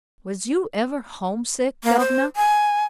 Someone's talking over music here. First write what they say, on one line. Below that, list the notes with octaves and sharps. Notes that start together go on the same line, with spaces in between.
Was you ever homesick, governor?'
A#3
C5
G#5